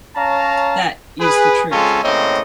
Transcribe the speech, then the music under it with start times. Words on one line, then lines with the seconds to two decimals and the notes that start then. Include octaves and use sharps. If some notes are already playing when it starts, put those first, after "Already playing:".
That is the truth.
0.16 C#4 C#5 F5 A5 A#5
1.21 G#4 B4
1.72 C#3 G#3 C4 C#4 F4 A4
2.03 A2 C#3 A#3 C4 C#5 D#5